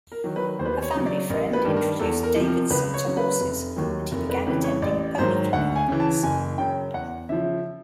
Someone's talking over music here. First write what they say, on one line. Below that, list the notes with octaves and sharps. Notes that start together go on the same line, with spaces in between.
A family friend introduced Davidson to horses, and he began attending Pony Club events.
A#4
D#3 F#3
B4
D#2 C5
B4
C5
C#5
C#3 F#3
D5
A1 A#4
B4
G2 D#3
A#4
E2 A4
A#4
C3 F3
A#4
C#2 B4
C#5
C#3 F#3
B4
F1
D#2 D#3 F#3
F1 A#4
B4
F2 C#3 E3 B4
C#5
A1 D5
G#2 D#3 F#3 C5
D2 F#5
G#5
C#3 E3
A5
F#1 G#5
F#2 C#3 G5
E2 F#5
C#3 F3 E5